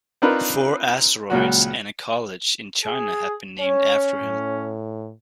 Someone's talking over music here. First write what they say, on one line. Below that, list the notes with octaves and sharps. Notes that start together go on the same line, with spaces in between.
Four asteroids and a college in China have been named after him.
C4 D4 D#4 F4 A#4 B4
C#2 A#2 F#3 F#4
G#4
C#4 C#5
A2